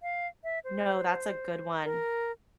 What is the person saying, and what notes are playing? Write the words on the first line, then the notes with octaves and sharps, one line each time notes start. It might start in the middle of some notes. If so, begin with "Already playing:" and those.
No, that's a good one.
F5
E5
C5
A#4